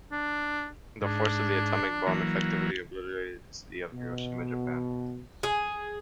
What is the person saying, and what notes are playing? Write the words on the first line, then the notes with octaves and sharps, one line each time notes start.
The force of the atomic bomb effectively obliterated the city of Hiroshima, Japan.
D4
G#2 D4
E3 F#3 A#3
B2
G#4